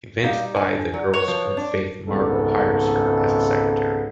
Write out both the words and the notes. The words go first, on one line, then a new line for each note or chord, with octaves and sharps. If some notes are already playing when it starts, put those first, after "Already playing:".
Convinced by the girl’s good faith, Margo hires her as a secretary.
G3 D#4 F5
D4 G#5
F#3 D5
B4 C#5
F3
D4
G#1 C#2 G#2 C#3 B3 A4